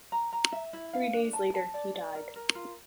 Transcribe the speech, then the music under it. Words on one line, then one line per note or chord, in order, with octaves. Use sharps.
Three days later, he died.
A#5
A#5
E5
E4
F5
D4
A5
A5
D5
D5
A#4
A#4
F4